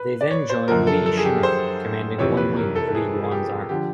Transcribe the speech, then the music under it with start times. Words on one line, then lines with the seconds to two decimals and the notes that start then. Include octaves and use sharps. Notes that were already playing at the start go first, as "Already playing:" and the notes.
They then joined Li Shimin, commanding one wing of Li Yuan's army.
Already playing: B4
0.21 D5
0.31 C#5
0.50 C5
0.68 F#2 D3 F3 A#4
0.87 A4
1.06 A4
1.17 G#4
1.25 G4
1.43 C5
2.18 F2 C3 E3 C#5
2.37 B4
2.56 A#4
2.76 A4
2.89 A4
2.95 G#4
3.24 G#4
3.32 G4
3.69 D3 F3 G4